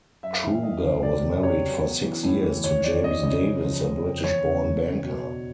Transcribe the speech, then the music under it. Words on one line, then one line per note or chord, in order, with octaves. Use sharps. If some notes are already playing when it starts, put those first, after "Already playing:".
Kruger was married for six years to James Davies, a British-born banker.
F#2 E5
F5
E3 E5
F#2 D#5
C#3
C3 D5
C3
C3 C#5
F#3
B3
E3
A2
E3
D#2 C#5
F3 D5
D#2 D#5
C#3 D#5
C#3
F3
F2
F2
E2 C#5
C#3
E2
C#3
B2
D4